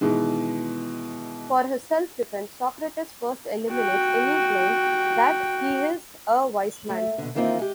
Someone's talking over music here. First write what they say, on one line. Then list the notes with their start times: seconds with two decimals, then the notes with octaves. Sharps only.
For his self-defence, Socrates first eliminates any claim that he is a wise man.
0.01 B2 D#3 E3 G#3
3.72 F#4 G5
6.89 A3
7.18 B2 D3
7.35 D#3 E3 A#3 C4 D#4 F4
7.59 G#3 G4